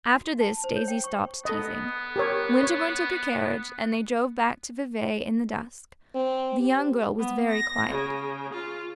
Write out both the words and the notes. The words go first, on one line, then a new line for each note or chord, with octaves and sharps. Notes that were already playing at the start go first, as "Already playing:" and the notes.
After this Daisy stopped teasing. Winterbourne took a carriage, and they drove back to Vevey in the dusk; the young girl was very quiet.
F#4
A5
C5
C#5
G5
C#6
B3 A4 D#5
G4 A#4 C#5
C#5
C4
G4
B3
A#6
C#3
F4